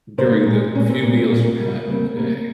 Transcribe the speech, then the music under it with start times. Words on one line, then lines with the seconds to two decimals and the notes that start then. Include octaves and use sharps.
during the few meals you have in the day.
0.18 C#3 G3 A#3 C5
0.32 D#4
0.46 A#2 G#3
0.75 A#2 G#3 C#4
0.89 C4
1.03 A#2 G#3 A#3
1.17 C4
1.31 A#2 G#3 A#3
1.59 C#3 G3 A#3
1.88 C#3 G3 A#3 C4
2.16 C#3 G3 A#3